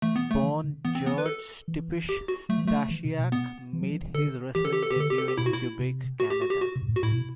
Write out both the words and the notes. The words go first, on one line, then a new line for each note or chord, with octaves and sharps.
Born George Stipich, Stasiak made his wrestling debut in Quebec, Canada.
E3 A3
B3
A3
E3
D3
E3 B3
C4
B3
B4
A4
E3
G4
F#4
F#3 A3
E3
F#3
A3
E3
C3
B2
B3
E3
F#3
E3
D3 A4
E3 G4
A4
G4
A4
G4
D3 A4
G4
A4
G4
B2 E4
F#4
E4
C3
F#4
G4
F#4
G4
F#4
C3
G2
A2
F#4
A2 E4
B2